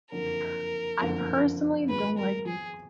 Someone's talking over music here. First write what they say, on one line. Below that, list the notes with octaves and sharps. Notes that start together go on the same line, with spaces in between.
I personally don't like it.
F#1 F2 D3 A#4
F#1 F2 D3
G#1 F#2 F3 G#3 B3 B4
A#4
G#4